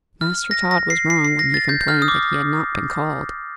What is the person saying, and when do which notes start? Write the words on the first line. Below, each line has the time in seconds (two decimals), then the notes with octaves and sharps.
Master Tod was wrong when he complained that he had not been called.
0.21 F6
0.51 A#6
0.71 A#6
0.90 C7
1.10 C7
1.25 C7
1.39 A#6
1.54 A6
1.69 G6
1.81 G6
1.88 F6
2.02 D#6
2.08 D6